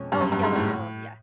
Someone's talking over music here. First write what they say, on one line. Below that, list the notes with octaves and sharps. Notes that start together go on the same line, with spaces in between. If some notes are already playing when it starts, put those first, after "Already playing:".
Oh, yellow, yellow, yes.
Already playing: F2 B2 G#3 C#4
G2
F#2
G2
G#2
A2